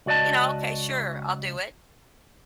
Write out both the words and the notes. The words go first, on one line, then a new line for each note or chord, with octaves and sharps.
you know, "Okay, sure, I'll do it."
C#2 F#4 D5 D#5 A5